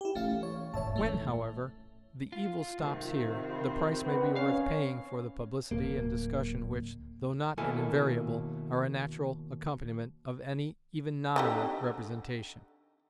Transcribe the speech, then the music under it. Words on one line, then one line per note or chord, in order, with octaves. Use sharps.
When, however, the evil stops here, the price may be worth paying for the publicity and discussion which, though not an invariable, are a natural accompaniment of any, even nominal, representation.
E4 G4
E3 A3 C#4 F5
C#5
D#1 G#2 C#5 E5 A5
E3 A3 C#4
F4
C3 D#3 C4
B5 C6
G3 B4 D#5 F#5
C#4 C#5 F5
D1 A#3
D#2 B2 A#3 E4 A4 G#5
D3 D#4 G4